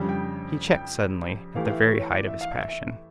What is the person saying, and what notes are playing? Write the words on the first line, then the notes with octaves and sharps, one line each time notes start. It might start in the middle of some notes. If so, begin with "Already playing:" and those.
He checked suddenly at the very height of his passion.
Already playing: F2 C#3 G3 D4 G4
G5
G5
E3 A3 E4 G4 F5
F5
E5
C#5
C#5
D5
E5
F5
E5
E5